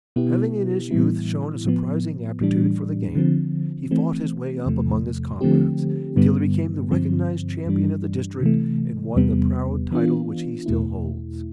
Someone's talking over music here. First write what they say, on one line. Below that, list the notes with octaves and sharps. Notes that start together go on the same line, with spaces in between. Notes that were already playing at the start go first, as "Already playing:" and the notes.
Having in his youth shown a surprising aptitude for the game, he fought his way up among his comrades, until he became the recognised champion of the district and won the proud title which he still holds.
B2 B3 E4 G4
A2 E3 G3 B3 E4
A2 F3 B3
A2 E3 G3 D4
D3 F3 C4
E3 A3 C4
E2 C3 F3 A3
D3 F3 A3 C4 G4
G2 D3 G3 B3
G2 D3 F3 C4
G2 E3 G3 D4
C3 E3 A3
E2 C3 G3 B3
E3 B3 D4 F4
E2 B2 A3 E4